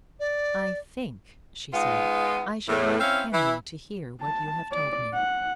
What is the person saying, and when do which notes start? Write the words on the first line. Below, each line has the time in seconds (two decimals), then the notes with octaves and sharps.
"I think," she said, "I should like Henry to hear what you have told me."
0.19 D5
1.73 G#3 B3 D#4 F4
2.68 E2 A2
3.00 C4 C#4 E4 E5 F5
3.33 E3 E4
4.21 A5
4.72 D5
5.14 F#5